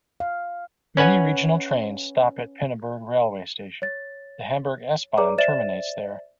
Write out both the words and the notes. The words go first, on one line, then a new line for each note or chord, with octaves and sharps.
Many regional trains stop at Pinneberg railway station; the Hamburg S-Bahn terminates there.
F5
C#4 B4 F#5 G#5
C#5 A6
G#4 B4 C#5 D5 A#5 D6
C5 D5 E5 A6 E7